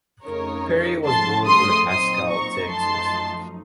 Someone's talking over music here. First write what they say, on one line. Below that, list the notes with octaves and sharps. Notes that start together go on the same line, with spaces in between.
Perry was born in Haskell, Texas.
F2 C#3 A3 D#4 A#4 C#5
C#3 F3 A3 A5 C6
C6 D#6
A#2 F#3 C4 D#4 C6 D#6
A#5 C#6
F#2 F3 A3 D#4 A5 C6